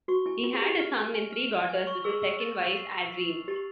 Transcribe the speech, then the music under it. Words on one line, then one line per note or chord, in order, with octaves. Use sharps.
He had a son and three daughters with his second wife, Adrienne.
F#4 C#6
E4 G#5
F4 G#5
G#4
G4 C#6
F6
G#5
G#5
F6
F6
G#5
C#6
G#4 E6
E6
A6
F7
C7
E6
C7
F7
G4 A6